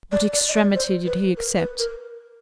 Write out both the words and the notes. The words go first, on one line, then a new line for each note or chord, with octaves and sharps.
What extremity did he accept?
D5
D5
D#5
D5
C5
B4
A#4
B4
A#4